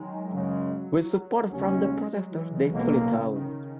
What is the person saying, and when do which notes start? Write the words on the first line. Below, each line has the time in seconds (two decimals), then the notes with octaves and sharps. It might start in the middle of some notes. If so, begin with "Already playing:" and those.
With support from the protesters, they pulled it down.
Already playing: D#3 F#3 G#3
0.25 E3
0.31 F#2 C#3 F#3 G#3
1.50 D#2 C#3 F#3 C#4
1.71 G#3
1.91 G#3
2.11 F#3
2.31 E3
2.50 C#3
2.70 B1 B2 A#3
3.31 D#3
3.61 C#3